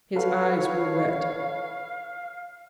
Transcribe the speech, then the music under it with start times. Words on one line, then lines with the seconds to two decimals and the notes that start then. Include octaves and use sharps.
His eyes were wet.
0.16 A4 B4 C#5 F5 F#5